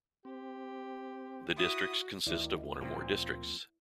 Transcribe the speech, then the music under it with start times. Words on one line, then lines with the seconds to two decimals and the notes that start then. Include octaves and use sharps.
The districts consist of one or more districts.
0.25 C4 G4
1.56 E4 F#4 D#6
2.27 D2 D#3 E4 D5
2.81 A#2 F3 A#3 C4